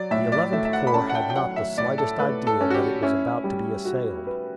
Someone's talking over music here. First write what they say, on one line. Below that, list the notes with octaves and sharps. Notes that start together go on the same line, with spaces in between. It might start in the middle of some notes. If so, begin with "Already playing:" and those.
The Eleventh Corps had not the slightest idea that it was about to be assailed.
Already playing: F#3 D5
A2 E5
D5
A3 E5
E5
F#5
B5
C#4 A5
F#5
G5
G5
F#3 F#5
E5
A2 D5
A4
A3 B4
A4
C#4
F#4
G4
C#4 E4
G3
F#4
B4